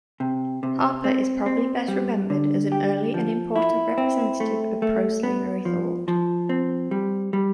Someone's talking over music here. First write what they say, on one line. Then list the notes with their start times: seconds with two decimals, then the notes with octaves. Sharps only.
Harper is probably best remembered as an early and important representative of pro-slavery thought.
0.20 C3
0.63 C3
1.04 C4
1.46 C4
1.88 G3
2.30 D3
2.72 G4
3.14 F3
3.56 E4
3.98 C4
4.40 A3
4.82 A3
5.23 B3
5.65 F3
6.08 F3
6.49 C4
6.91 G3
7.33 G3